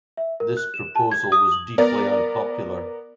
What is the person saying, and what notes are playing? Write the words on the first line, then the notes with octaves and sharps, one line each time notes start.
This proposal was deeply unpopular.
E5
A#4
F#6
E7
A5
G#6
D#6
F#7
B3 A#4 D5